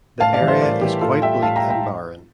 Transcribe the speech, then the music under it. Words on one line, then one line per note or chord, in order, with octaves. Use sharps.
The area is quite bleak and barren.
A2 F5 A5
D5 F5
E3 G3
C5 E5
A2 A#4 D5
E3 G3 G4
A2 F4 A4
G3 E5 G5
A2 F5 A5
G5 A#5
G3
G5 A#5